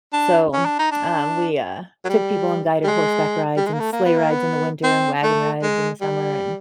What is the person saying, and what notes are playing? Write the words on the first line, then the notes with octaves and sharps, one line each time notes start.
so, uh, we, uh, took people on guided horseback rides, and sleigh rides in the winter, and wagon rides in the summer, and
D4
C#4
D4
D#4
D4
F#3
G3
G3
G#3
G3
G#3
A#3
A3
A#3
B3
A#3
B3
C4
A3
G#3
G3